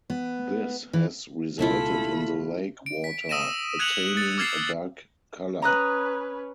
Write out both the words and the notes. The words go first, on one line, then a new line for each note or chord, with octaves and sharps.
This has resulted in the lake water attaining a dark colour.
B3
E3
C#2 B2 A3 E4 F4 A4 B5
D7
B6
D#6 E6 A#6 D#7 E7
F#6 G#6 C#7 F7 F#7
A6 C#7
D6 E6 F6 G#6 A6 C7
C#4 B4 A#5 D#6 F#6